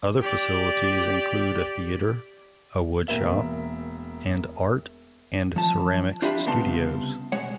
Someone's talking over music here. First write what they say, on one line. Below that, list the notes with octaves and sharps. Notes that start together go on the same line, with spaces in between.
Other facilities include a theater, a wood shop, and art and ceramics studios.
G4 D5
E1 A#3 E5
F3 A5
D4 F4 G4 E5 B5
C2 C#3 B3 F5 A5 C6
B1 G#3 C#5 F#5